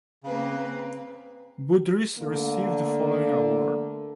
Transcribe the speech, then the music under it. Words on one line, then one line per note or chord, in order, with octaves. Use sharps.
Budrys received the following awards.
C#3 A#3 C4 B4
D3 A3 A#3